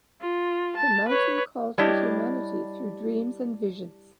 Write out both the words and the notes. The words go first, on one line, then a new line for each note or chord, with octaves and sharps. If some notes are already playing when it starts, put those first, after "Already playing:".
The mountain called to humanity through dreams and visions.
F4
A5
B4 C#5
G3 D4 E4 G4 C#5 D#5